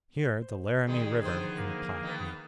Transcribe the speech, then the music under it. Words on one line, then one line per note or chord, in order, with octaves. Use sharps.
Here the Laramie River and the Platte meet.
C5
D#3 G3 G#4
D3 D#3 F3 B3 C5
A#3
D#3 B3